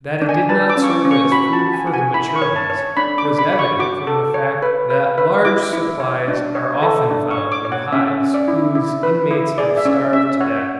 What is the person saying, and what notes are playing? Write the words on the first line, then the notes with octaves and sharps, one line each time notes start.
That it did not serve as food for the mature bees, was evident from the fact that large supplies are often found in hives whose inmates have starved to death.
D4
G#5
B4 A5
E6
D6
C#4
C#6
D6
C#4
C#6
F#4 B5
A5
F#4
G#5
F#4
G#5
E4 B5
C#6
C#5
A5
C#5
D4 B5
D6
D4
B5
C#5
C#6
F#4 D6
A4
C#5
B4
B4
B4
E4 D6
E4
C#5
D4
C#5
A4
D4
C#6
C#5
D6
C#5
F#5
C#4 E5
C#4
D5
E4
E4
B4
E4
G#4 D5
E5
C#4 D5
C#4 E5
C#5 F#5